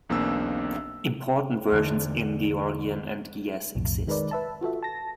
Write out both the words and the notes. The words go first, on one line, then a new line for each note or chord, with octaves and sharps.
Important versions in Georgian and Ge'ez exist.
B1 E2 A#3 C4 D4 E6
E2 D3
B1 F2 A2
D#3 G#3 A#4 B4 D5
B4 E5 A5
F4 F#4 A4 E5
A5 A#6